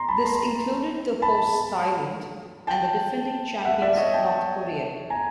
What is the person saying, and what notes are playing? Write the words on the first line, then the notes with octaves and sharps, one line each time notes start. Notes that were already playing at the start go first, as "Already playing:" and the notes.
This included the hosts Thailand and the defending champions North Korea.
Already playing: A#5 C6
A5 B5
A#5 C6
A5 B5
G5 A5
E5 F#5
D5 E5
E5
C#5 D#5
G5 A5
G#5 A#5